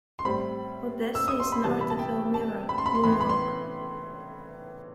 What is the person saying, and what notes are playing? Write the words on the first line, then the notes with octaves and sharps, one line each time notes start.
Odessa is north of Elmira, New York.
C6
A2 G3 C4 B5
E6
D#6
C6
B5
C3 E3 G3 B3 A5
B5
A5
G5
A5
B5
C6
B5
C6
A2 E3 B3 B5
C6
B5
C6